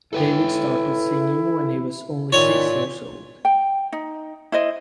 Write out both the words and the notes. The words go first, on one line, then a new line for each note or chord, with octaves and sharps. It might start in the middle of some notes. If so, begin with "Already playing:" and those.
David started singing when he was only six years old.
E4 A4 B4 G5
D#3 F4 C#5 D5
G5
D#4
E4 C5 D#5